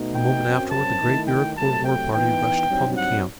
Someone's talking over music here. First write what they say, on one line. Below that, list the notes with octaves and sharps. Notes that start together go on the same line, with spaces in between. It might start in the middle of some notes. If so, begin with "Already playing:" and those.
A moment afterward the great Iroquois war-party rushed upon the camp.
Already playing: B2 A3 D#4
G5
F#2 F#3 C4
A5
D#3 A3 E4
G5
C3 F#3 A3 A5
G5
E3 B3 D#4 G5
G2 F#3 C4 D#4
F#5